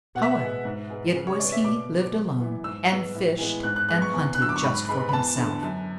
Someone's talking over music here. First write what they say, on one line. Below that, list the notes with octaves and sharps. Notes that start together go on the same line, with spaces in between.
However it was he lived alone, and fished and hunted just for himself.
B2 F#5
E5
F#5
G#3 B3
G#2
G#3 B3
C#3
C#5
G#3 B3 D5
E5
B2 D6
A3
F#2
E3 B3
G#2 E6
G#3 B3
A2
E3 G#3 B3
G#2 F#6
F#6
G#3 B3 F#6
C#6
E2
F#6
D3 F#3 E6
D6
C#6
G#2 B5
G#3 B3 B5
B5
E2 A5
D3 A3
F#2